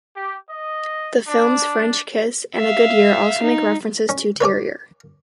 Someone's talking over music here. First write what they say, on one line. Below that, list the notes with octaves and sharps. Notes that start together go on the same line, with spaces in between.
The films "French Kiss" and "A Good Year" also make references to "terroir".
G4
D#5
D4
E5 F5
D#4
C#4
B4 C#5 G#5 D6